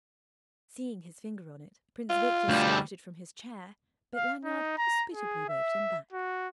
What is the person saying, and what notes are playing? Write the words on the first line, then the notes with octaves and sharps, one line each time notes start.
Seeing his finger on it Prince Victor started from his chair, but Lanyard hospitably waved him back.
F4
D2 G3
F5
D#4
A#5
G#4
E5
F#4